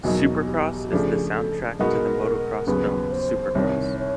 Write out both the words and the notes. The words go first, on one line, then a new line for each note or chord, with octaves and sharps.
Supercross is the soundtrack to the motocross film "Supercross".
E2 B2 F#3 A#3 D#4 F#4
G4
C#3 F3 A3 D4 G4
G#4
A4
B2 G#3 B3 D#4 F#4 A#4
D#2 C#3 F#3 B3 B4
C5
C2 C3 D#3 C#5
C#5